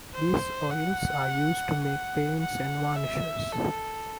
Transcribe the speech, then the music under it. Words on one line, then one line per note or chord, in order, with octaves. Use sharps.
These oils are used to make paints and varnishes.
C5
F#5
F#5
F#5
E5
A4